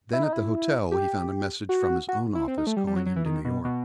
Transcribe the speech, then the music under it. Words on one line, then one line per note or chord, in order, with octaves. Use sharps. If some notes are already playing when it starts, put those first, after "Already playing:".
Then at the hotel he found a message from his own office calling him to New York.
E4
D#4
E4
G4
F#4
F#4
E4
C4
D#4
A3
G3
G3
F#3
F#3
E3
D#3
B2
B2